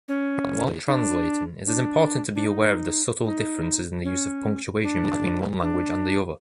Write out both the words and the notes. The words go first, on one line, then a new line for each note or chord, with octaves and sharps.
While translating, it is important to be aware of the subtle differences in the use of punctuation between one language and the other.
C#4
D#4
D4
D4
D4
D#4
D#4
C#4
D4
D4